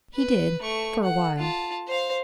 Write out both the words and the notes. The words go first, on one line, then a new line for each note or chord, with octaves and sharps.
He did--for a while.
B4
A3 C#6
F#5
F4 A5
C5 F5